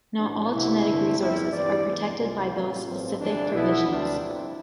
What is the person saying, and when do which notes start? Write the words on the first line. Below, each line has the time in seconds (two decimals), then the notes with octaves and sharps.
Not all genetic resources are protected by those specific provisions.
0.18 A1 A2 F3 B3 D4
0.52 C2 C3 G3 B3 E4
0.85 G2 D3 A3 C4
1.19 E2 C3 G3 E4
1.52 G2 E3 G3 C4 D5
1.85 E2 C3 G3 B3 D5
2.19 C2 C3 E3 F4
2.53 A1 G2 E3 G3
2.86 A1 G2 F3 C4
3.19 G1 F2 E3 D4
3.53 B1 B2 B3 E4
3.86 D2 C3 G3 D4
4.19 G1 F2 C3 G3 E4